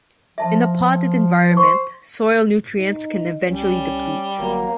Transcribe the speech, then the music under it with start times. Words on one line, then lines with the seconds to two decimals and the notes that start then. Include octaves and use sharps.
In a potted environment, soil nutrients can eventually deplete.
0.38 F3 E5 A5
1.57 C5 C6 C#6
2.78 D#4
3.49 C2 G3 C#4
4.38 G1 F#3 A#3